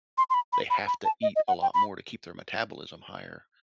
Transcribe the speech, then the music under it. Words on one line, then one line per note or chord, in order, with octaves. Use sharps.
they have to eat a lot more to keep their metabolism higher
C6
C6
B5
B5
B5
B5
A5
D#5
D#5
F#5
G5
B5